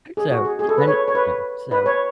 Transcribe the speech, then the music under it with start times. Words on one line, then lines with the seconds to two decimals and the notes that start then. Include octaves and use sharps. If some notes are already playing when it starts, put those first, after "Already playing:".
so and Yeah, so
0.17 G#4
0.31 F#4
0.45 G#4
0.59 G#4
0.69 A4
0.78 B4
0.87 C#5
1.08 C#5
1.15 B4
1.71 B4
1.86 C#5